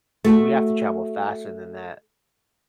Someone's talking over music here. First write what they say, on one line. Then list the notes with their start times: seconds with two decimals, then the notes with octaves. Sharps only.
We have to travel faster than that.
0.24 A3 F#4